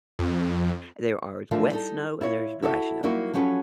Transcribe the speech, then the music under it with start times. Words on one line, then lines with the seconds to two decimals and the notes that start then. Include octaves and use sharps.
There are s wet snow, and there's dry snow.
0.19 F2
1.51 D3 E3 F3 A3 F4 A#4
1.71 G3 D#4 A4
2.21 E4 F4 C#5
2.62 E4 F#4 G4 A4 E5
3.03 F#3 G3 A#3 D#4 E4 F#4
3.33 F3 F#3 C#4 G4 A4 B4